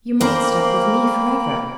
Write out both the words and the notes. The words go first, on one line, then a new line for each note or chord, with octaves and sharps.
You might stop with me for ever.'
A#3 A#4 C5 D5 G5 B5